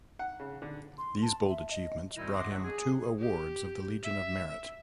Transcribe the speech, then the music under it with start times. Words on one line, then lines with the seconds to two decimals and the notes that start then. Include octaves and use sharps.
These bold achievements brought him two awards of the Legion of Merit.
0.19 F#5
0.40 C#3
0.62 D3
0.98 C6
1.22 A5
1.48 E5
1.71 D#5
2.16 B2 D#3 G3 C4 D#4 E4
2.34 D#5 E5 F#5 C6 D6 D#6
2.49 D3 F#3 D4 F#4 E5
2.64 G#4
3.19 G4
4.03 E5